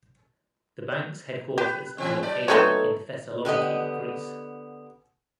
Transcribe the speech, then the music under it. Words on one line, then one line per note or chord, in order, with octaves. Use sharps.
The bank's headquarters are located in Thessaloniki, Greece.
G4 B4
E3 C4
F#3 D5
F#3 A3 B3 C4 D#4 A4 C#5
D3 B3 G4 D#5